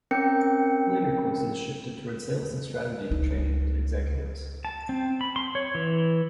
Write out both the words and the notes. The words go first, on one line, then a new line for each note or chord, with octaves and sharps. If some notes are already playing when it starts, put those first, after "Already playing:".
Later courses shifted towards sales and strategy training to executives.
C4 C#4 A#4 G5 C#7
C#2 D#4
A5
C4
B5
C6
C#5
E3